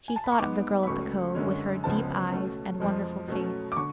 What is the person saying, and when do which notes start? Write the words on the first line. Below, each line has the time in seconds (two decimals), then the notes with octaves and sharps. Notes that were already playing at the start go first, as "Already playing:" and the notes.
She thought of the girl at the Cove, with her deep eyes and wonderful face.
0.08 G#5
0.16 A5
0.24 B5
0.32 C#6
0.39 G#2 G#3 B3 D6
0.83 B5
0.87 C#2 C#3 F#3 A3 C#6
1.35 F#2 D3 G#3 C#4
1.84 C#2 C#3 F3 G#3 B3 A5
2.32 B2 A3 C#4
2.80 F2 F3 G#3
3.28 B2 F#3 A3 C#4
3.72 D6
3.77 D3 C#6